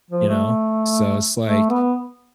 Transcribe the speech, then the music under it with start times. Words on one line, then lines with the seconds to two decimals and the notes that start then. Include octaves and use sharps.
you know? So it's like,
0.11 F3
0.27 A3
1.44 A3
1.70 B3